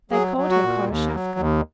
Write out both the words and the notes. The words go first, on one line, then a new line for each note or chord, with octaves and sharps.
They called her Khoroshavka.
F#3 G#4
F#3
F#4
A#2
D#2
F#3
D#2